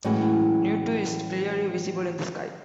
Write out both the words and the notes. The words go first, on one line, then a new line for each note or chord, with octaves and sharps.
Ne'tu is clearly visible in the sky.
A2 E3 F#3 G#3 C#4 F#4